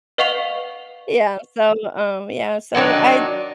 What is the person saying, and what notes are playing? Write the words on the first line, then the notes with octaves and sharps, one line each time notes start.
Yeah, so, um, yeah, so, I'd
B4 D#5 F5 F#5 C#6 F7
D#3 F#3 D4 D#4